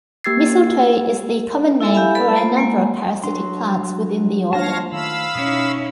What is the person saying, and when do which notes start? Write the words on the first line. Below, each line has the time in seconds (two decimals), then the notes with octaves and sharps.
Mistletoe is the common name for a number of parasitic plants within the order.
0.24 A#3 G4 E6 G#6 A6 C7
1.81 E4 A4 E5 G#5
1.94 E4 G4 E5 F5 G#5 B5
2.15 A4 B4 D5 B5
2.36 A#3 F4 C5 B5
2.57 G#3 A#3 G#5
3.24 F#3 D4 C6
4.53 A#3 D4 F4 C5 C#5 F5 A5 A#6
4.92 D#3 A3 F5 B5 E6
5.35 B2 C#4 D#4 E4 D#6